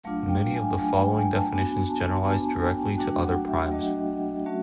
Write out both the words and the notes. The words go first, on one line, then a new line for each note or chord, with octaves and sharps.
Many of the following definitions generalize directly to other primes.
F#3 A3 D4 F4 F5
G5
G#5
F#3 A3 D4 F4 G#5
G5
G#5
A5
B3 D4 F#4 G#5
A5
A5
B3 D4 F#4 G#5
G5
F#3 A3 D4 F#4 G5
F#5
E5
F#3 A3 D4 F#4 D#5
F#3 A3 C#4 F#4 E5